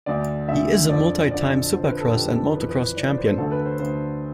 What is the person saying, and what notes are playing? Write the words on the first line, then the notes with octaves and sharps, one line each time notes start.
He is a multi-time supercross and motocross champion.
D2 D3 D5
D2 D3 E5
F2 D3 D5
F2 D3 D5
F2 D3 C5
B4
A4
F2 D3 G4
A4
F2 E3 B4
B4
F2 E3 D5
D5
C5
A4
D2 D3 A4
B4
C5
D2 D3 C5